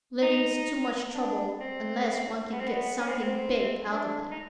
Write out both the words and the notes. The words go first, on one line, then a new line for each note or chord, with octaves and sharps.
"Living's too much trouble unless one can get something big out of it."
D#4
D4
C4
B3
C4
B3
C#4
C4
B3
C4
D4
D#4